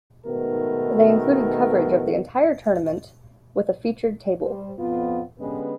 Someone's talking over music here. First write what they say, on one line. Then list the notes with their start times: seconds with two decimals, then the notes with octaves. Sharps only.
They included coverage of the entire tournament, with a "Featured Table".
0.26 G#2 B2 D#3 A3 B3 A#4
4.41 G3 C5
4.78 F2 B3 F4
5.39 D3 G#3 B3 C#4 G4 B4